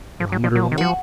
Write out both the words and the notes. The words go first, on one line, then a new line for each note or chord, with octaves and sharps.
Barometer low?
F3
F#3
F3
F#3
F3
D#3
F3 F#4